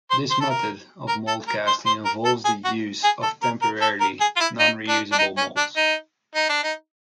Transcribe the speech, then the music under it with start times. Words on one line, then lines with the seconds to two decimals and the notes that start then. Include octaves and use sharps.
This method of mold casting involves the use of temporary, non-reusable molds.
0.11 C5
0.30 C5
0.41 A4
0.50 A#4
1.08 A#4
1.27 A4
1.48 A#4
1.67 C5
1.86 C5
2.05 A#4
2.25 A4
2.45 G#4
2.65 F#4
3.04 G#4
3.23 A4
3.43 A#4
3.62 A#4
3.81 A4
4.00 A#4
4.21 G#4
4.36 F4
4.40 E4
4.59 D#4
4.89 D4
5.12 D4
5.18 D#4
5.38 C#4
5.57 D4
5.77 D#4
6.35 D#4
6.49 D4
6.63 D#4